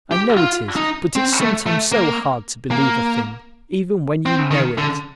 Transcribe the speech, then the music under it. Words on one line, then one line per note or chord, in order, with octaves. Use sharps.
I know it is, but it's sometimes so hard to believe a thing even when you know it.
G4
F4
D#4
C4
A3
A3
A#3
A#3
C4
D#3
D3